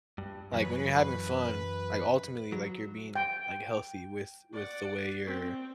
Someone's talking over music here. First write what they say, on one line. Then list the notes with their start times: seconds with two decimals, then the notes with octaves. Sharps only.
like, when you're having fun, like, ultimately, like, you're being, like, healthy with with the way you're
0.18 G2
0.52 F#2 E3 F#3 B4
2.52 F#3
3.16 G5
4.53 D5 F#5
5.27 C4